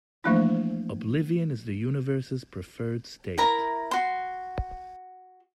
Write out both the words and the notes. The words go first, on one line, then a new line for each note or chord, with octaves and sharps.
Oblivion is the universe's preferred state.
E3 F3 A3 A#3 D4 E4
E4 A#4 A#5
F#4 C6